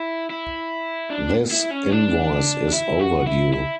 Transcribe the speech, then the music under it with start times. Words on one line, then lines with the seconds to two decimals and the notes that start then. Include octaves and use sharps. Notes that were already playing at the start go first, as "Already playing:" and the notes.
This invoice is overdue.
Already playing: E4
0.30 E4
1.10 D4
1.51 E4
1.71 C#4
1.91 D4
2.73 E4
2.99 F#4
3.26 E4
3.53 E4